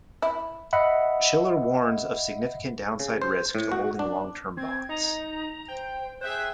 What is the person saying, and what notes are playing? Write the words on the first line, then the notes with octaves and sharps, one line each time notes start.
Shiller warns of significant downside risk to holding long term bonds.
E4
D#5 E5 F#5 B5
C#3
C5
A2
F#4
D4
C4 G#6
D#4 A#5
C5 G5
G#4 C5 E5 G5 F#6